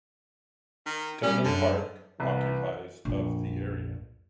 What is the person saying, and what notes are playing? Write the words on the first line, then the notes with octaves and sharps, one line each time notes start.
Dunham Park occupies of the area.
D#3
G3 C#4
F#2 D3
C2 E3
A#1 F2